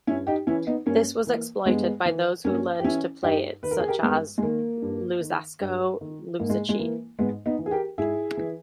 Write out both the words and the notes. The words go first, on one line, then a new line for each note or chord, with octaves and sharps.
This was exploited by those who learned to play it, such as Luzzasco Luzzaschi.
G2 C#4 E4
D#4 G4
E3 C#4 E4
B3 D#4
G2 A#3 C#4
E3 A#3
G2 G#3 B3
E3
G2 A#3 C#4
G4
E3 C#4 E4
G2 D#4 G4
D#3 B4
A#4
G#4
G4 A#4
G2 G#3 B3
G#3
D#3 A#3
G2
D#3
G2
D#3
G#2 A#3
G#3
G#3
E3 A#3
G#2 G#3 B3
B3 D#4
E3
G#4
G4 A#4
G#2 E4 G#4
E3